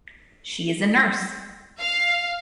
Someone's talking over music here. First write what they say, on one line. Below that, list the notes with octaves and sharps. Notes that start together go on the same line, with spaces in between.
She is a nurse.
F5